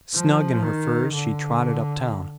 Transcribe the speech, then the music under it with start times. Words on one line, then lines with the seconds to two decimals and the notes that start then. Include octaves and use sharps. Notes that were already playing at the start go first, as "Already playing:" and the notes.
Snug in her furs she trotted up-town.
0.14 F3
0.63 D#3
1.12 D3